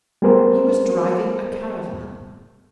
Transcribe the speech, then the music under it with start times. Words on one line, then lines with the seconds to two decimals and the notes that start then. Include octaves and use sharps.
He was driving a caravan.
0.22 G3 A3 B3 G#4 A#4 C5